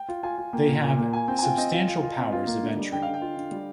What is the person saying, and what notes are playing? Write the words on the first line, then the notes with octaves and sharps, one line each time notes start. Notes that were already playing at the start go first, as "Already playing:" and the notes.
They have substantial powers of entry.
Already playing: G5
F4
F4 G#5
F4
A#3 G5
A#2
A#2
A#3
F4 G#5
C4 G5
G#5
F4 G5
C4 D#5
F4
F4
F4
C4
F4
A#3
D3
G3
D3 G5
D3 F5
G5
F4
D3
G3